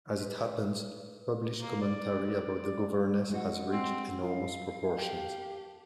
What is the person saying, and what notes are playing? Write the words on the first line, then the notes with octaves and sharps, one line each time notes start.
As it happens, published commentary about the governess has reached enormous proportions.
B4
A#3
D5
G#3 F#4
C4
F4 F5 B5 D#6
G4 A5